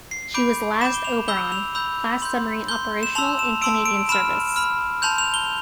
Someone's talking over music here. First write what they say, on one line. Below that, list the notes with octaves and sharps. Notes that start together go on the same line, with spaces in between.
She was the last "Oberon"-class submarine operational in Canadian service.
C7
B5 D6 G6 D7
B5 D6 G6 E7
G7
F7
B5 E6 G6 G7
F7
B5 E6 G6
C6 G6
C6 G6 G7
E7
A5 C6 E6 F7
E7
A5 C6 E6 D7
D7
B5 F6 E7
B5 F6
A5 C6 G6 F7
F7
G7